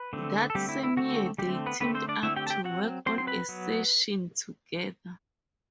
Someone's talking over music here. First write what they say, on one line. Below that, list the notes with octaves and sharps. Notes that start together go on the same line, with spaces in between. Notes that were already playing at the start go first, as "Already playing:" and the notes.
That same year they teamed up to work on a session together.
Already playing: B4
D3 A3 C4
A4
D3 G3 A3 C4 G4
E4
E4
D3 A3 C4 F#4
D3 G3 A3 C4 G4
B3 B4
D3 A3 B3 C4 B4
C4 C5
D4 D5
D3 A3 C4 E4 E5
G4 G5
A5
G4 G5
F#3 C4 F#4 F#5
F#3 C4 C5 C6
C6
B4 B5
F#3 B3